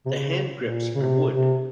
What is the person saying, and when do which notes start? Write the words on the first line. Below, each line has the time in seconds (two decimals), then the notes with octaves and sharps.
The handgrips are wood.
0.06 C3
0.12 C#3
0.58 A#2
0.95 C#3
1.03 C3
1.33 C3